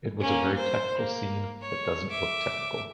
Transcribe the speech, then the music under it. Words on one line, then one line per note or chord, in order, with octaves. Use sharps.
It was a very technical scene that doesn't look technical.
A#3 C#4
C5
A#3
C#5
E5 D6